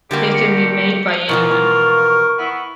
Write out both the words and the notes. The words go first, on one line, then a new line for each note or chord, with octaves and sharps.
They can be made by anyone.
G2 B2 D3 G3 A#3 G4
C#7
B2 E3 F3 F4 A#4 C#6
B3 E4